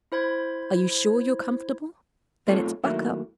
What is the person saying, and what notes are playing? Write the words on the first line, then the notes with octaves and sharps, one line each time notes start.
Are you sure you're comfortable?' Then it's 'Buck up!
E4 C5 B5 G#6
B1 A3 C4 F4 A4 C#5
D#3 F#3 A3 A#3 E4